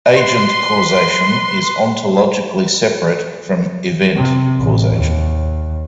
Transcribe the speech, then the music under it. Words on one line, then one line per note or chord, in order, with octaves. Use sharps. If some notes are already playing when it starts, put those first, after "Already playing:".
Agent causation is ontologically separate from event causation.
B4 C6
C3
A1
D#2